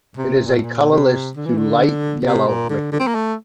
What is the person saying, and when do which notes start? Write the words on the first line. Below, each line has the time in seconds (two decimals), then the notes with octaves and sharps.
It is a colorless to light yellow liquid.
0.17 C3
0.46 A#2
0.55 A2
0.63 A#2
0.91 C3
1.36 D3
1.46 E3
1.57 D3
2.25 C3
2.47 A#2
2.69 D3
2.92 D3
2.99 C4
3.07 A#3
3.15 A3